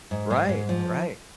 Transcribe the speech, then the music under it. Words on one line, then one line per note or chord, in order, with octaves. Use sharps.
Right, right,
G#2
G#3
G#2
F3